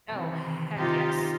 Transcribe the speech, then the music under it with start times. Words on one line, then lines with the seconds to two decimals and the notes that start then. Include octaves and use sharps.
Oh, heck yes.
0.10 C3 D#3 E3
0.74 C3 D#3 D#4 F4 G4